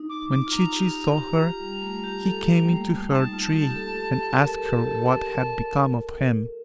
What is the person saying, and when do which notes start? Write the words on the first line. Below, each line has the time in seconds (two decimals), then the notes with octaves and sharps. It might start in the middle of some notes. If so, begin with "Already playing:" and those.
When Chee-Chee saw her, he came into her tree and asked her what had become of him.
Already playing: D#4
0.09 D6
0.30 D6
0.47 F4
0.52 D#4 A#5
0.75 G4
0.85 F4
1.18 G4
1.38 F4
1.60 G3
1.82 A3
2.04 G4
2.25 A4
2.47 A#3
2.62 G3
2.68 A3
2.90 A3
3.12 D#4 A5
3.33 F4
3.55 G4
3.70 G4
3.76 A4
4.41 A#4 A5
4.52 A4
4.63 G4
4.73 A4
4.94 A4
5.06 A#4